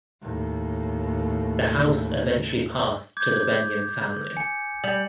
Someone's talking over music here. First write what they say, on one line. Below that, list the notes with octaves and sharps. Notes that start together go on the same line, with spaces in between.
The house eventually passed to the Benyon family.
D#2 A2
D6 G6 G#6
G#5 C#7
G3 F#7